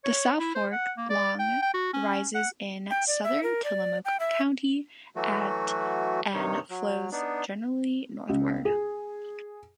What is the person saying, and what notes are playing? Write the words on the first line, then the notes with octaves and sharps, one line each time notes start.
The South Fork, long, rises in southern Tillamook County at and flows generally northward.
C#5
E4
C5
F#5
A#3
D5
G5
G5
F#4
C#4
F#5
G5
D5
E5
A#4
D5
G5
E5
E3 F#3 A3 F#4
G2 C3 D#3 D#4 C#5
F#3
B3 D4 D#4
C#2
G#4